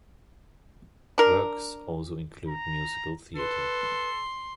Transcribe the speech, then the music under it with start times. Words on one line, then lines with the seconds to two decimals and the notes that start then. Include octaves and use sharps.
Works also include musical theatre.
1.18 D4 A#4
2.48 A#5
3.36 A4 B4 C6